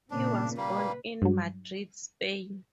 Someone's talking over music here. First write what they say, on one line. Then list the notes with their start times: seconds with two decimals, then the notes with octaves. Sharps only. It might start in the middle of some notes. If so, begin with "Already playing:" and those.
He was born in Madrid, Spain.
0.11 A#2 C#3 C4 D4
0.57 G3 A#3 B4
1.22 G2 F#3